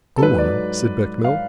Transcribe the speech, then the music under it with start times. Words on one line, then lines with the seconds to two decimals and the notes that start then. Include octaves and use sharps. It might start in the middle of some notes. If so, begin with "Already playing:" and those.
"Go on," said Bechamel.
0.18 A4
0.21 G#2 F#3 B4
0.38 D5
1.24 F5